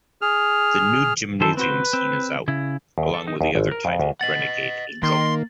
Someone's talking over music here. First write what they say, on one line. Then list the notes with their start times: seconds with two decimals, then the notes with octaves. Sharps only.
The nude gymnasium scene is out, along with the other title 'Renegade Angel'.
0.22 G#4 F6
1.41 D#3 E3 A4 C5
1.57 C4 F#4 B4 C5
1.93 C4
2.48 C#3 E4
2.98 D#2
3.14 A4
3.27 D#4
3.41 D#2
3.55 G#1
3.71 A#4
3.85 F2
4.00 D2
4.21 D#5 F#5 A6 F#7
5.03 D#3 A#3 C6